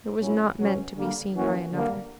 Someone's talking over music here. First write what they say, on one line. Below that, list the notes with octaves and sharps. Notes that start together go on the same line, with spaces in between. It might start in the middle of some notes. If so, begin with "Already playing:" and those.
It was not meant to be seen by another.
A#2 F#3 C#4 E4
B2 F#3 C#4
D3 G3 A#3
E3 A#3 C#4 F#4
D3 G3 A#3